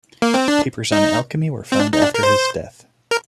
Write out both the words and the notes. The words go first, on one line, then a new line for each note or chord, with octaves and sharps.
Papers on alchemy were found after his death.
A#3
C4
D4
D#4
C4
D4
D#4
D4
A#4
C5
A#4